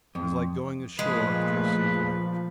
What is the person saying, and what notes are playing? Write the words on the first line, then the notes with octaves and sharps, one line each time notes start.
It is like going ashore after a sea voyage.
F2
A#2 F3 G#3 A3 B4